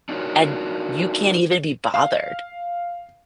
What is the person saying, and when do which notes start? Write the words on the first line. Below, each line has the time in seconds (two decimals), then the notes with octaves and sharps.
and you can't even be bothered.
0.09 D4 D#4 F4 F#4 A#4 C#5
1.94 F5